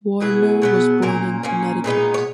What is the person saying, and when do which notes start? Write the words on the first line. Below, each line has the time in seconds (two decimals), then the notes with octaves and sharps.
Warner was born in Connecticut.
0.20 B2 F#3 B3 E4 G#4
0.62 B2 F#3 B3
1.02 A#2 A#3 C#4 A#4
1.43 A#2 A#3 C#4
1.84 A#2 G#3 B3 D#4
2.14 C#5